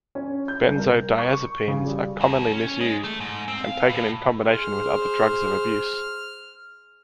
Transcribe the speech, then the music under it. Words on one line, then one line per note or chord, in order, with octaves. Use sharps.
Benzodiazepines are commonly misused and taken in combination with other drugs of abuse.
C#4
G6
C2
A#4
C#6
C#3
G3
D#2
C#4
G#3
A3
G#2
C4
F5
A2
G#4 C5 F6